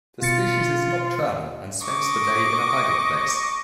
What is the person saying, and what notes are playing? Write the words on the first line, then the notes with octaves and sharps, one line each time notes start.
The species is nocturnal and spends the day in a hiding place.
B2 F4 A6 C#7
D#5 C#6 D6